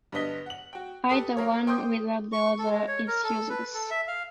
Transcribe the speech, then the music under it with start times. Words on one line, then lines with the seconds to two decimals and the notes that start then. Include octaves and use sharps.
Either one without the other is useless.
0.12 G2 D3 B3 D#5 B6 G7
0.46 F#5 F#7
0.73 F#4 G5
1.09 G4 A4 B4 D#6
1.37 A#3 A#4 C#5
1.67 C5 G5 C6 D6 D#6 G6
2.32 C#6
2.58 A4
2.70 G#3
2.88 C#5
3.08 A#4
3.24 A4
3.50 B4
3.74 A4
3.91 E5
4.08 F5